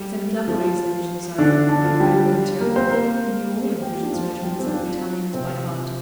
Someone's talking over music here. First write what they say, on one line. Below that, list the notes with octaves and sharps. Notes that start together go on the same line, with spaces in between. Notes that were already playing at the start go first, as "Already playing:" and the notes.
"Send Claparede's division, sire," replied Berthier, who knew all the division's regiments, and battalions by heart.
Already playing: G3
F3
D3 D4
D3 D4
F3 F4
G3 G4
A#3 A#4
C4 C5
A#3 A#4
G4
F4
D4
F3 F4
G3 G4
C4
D4
F3 F4
C3 C4
F3